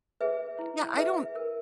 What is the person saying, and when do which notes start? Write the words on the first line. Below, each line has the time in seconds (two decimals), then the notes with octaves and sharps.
Yeah. I don't
0.21 G#4 B4 E5
0.59 E4
0.97 G#4 B4 E5
1.35 A#4